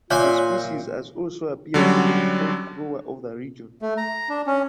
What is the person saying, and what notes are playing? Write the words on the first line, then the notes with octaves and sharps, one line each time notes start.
The species has also appeared in the folklore of the region.
A#2 F4 C#5 E5 G#5 F#6 G6
D3 F#3 G3 C#4
A3
A#5
D4
C#4